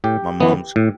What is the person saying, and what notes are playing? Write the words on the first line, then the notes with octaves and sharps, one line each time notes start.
my mom's
A2 G4
E3 B3
A2